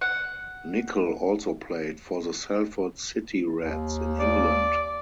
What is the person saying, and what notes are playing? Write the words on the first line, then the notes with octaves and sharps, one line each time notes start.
Nicol also played for the Salford City Reds in England.
F#5
D#2
D5